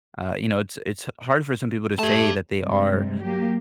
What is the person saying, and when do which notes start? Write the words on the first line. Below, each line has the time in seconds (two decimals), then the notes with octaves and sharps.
Uh, you know, it's it's hard for some people to say that they are
1.99 A3 G4 A5
2.60 G2 C3 G3 G#3
3.22 F#3 A#3 G4